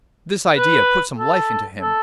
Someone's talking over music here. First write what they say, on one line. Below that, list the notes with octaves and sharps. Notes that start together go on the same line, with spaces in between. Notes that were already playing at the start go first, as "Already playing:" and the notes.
This idea put some life into him.
B4
A4
A4